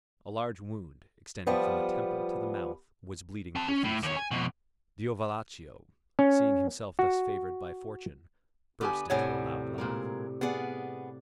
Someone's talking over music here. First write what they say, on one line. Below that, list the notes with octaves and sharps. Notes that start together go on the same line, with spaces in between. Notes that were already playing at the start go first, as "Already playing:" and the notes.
A large wound, extending from the temple to the mouth, was bleeding profusely. Diovalaccio, seeing himself thus favored by fortune, burst into a loud laugh.
F3 G3 B3
C4 A5
C#4
A2
D#2 C#5
G#5
F2 B2
C#4
F#4
D3 B3 G4 G#5
A2 C3 G3 C#5 F#5 G#5
A#2 G#3 A#4
B3 G#4 D5 F5 F#5